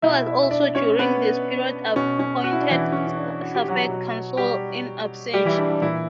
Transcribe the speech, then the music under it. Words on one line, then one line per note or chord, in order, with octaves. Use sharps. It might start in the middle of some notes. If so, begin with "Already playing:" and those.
He was also during this period appointed suffect consul "in absentia".
B2 E4 E5
E4 E5
E5
D4 D5
C#4 C#5
B3 B4
B2 C#4
C#4
F#4
E4
D4
E3 E4
C#4
C#4
D4
F#4
G4
F#3 F#4
B2
G3 G4
G3 G4
E3 E4
D4
D4
A#2 E3 E4